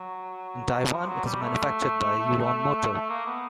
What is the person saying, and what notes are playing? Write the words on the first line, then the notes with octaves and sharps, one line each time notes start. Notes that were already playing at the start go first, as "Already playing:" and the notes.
In Taiwan it is manufactured by Yulon Motor.
Already playing: F#3
F3
F#3
G3
A3
A3
A#3
B3